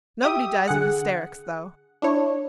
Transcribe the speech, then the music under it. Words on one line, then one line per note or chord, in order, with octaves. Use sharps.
Nobody dies of hysterics, though.
G4 E5 G5 D#6
D3 G#4 F#5
D4 E4 C#5